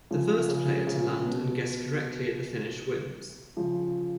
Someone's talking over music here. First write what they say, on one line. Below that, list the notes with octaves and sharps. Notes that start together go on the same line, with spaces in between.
The first player to land and guess correctly at the finish wins.
C#3 F3
C#3
C#3
B2
C#3 F3